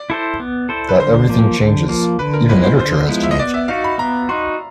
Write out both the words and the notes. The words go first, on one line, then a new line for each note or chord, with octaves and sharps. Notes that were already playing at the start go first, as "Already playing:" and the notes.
That everything changes, even literature has changed.
Already playing: D5
E4 A4 C5
B3
E4 A4 C5
B4
D3 C5
F3 A#3
D3
F3 A#3
D3 B4
A#4
F3 G#3 B3 E4 B4
C5
D3 C5
F3 G#3 B3 E4
E5
D#5
B3 D5
E5
D#4 F#4 F5
B5
B3 A#5
D#4 F#4 C6